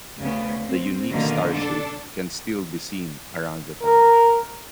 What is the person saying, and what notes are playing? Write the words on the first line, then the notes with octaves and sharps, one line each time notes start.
The unique star shape can still be seen around the town.
D2 C#3 B3
C4
B2 D3 D#3 A#3
D4 A4
A#4